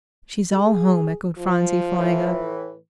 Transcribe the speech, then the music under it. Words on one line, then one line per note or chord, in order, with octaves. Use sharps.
"She's all home," echoed Phronsie, flying up.
G#4
F3
A2 E3